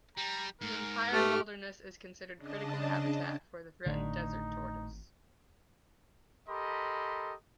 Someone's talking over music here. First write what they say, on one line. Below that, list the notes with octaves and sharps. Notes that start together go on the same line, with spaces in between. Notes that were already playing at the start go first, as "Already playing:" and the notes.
The entire wilderness is considered critical habitat for the threatened Desert Tortoise.
G3 A#5
G#2 A#4
A3 G4 F6
C#3 D4 D#5 A5
G#1 A2 D3 D#4
G4 A4 A#4 D#5 B5 C6